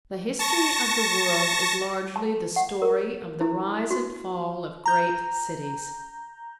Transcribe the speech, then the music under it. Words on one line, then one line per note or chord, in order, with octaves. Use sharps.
The history of the world is largely the story of the rise and fall of great cities.
A5 C#6 A#6
A5
F#5
A#4
E4
F#4
A#5 G6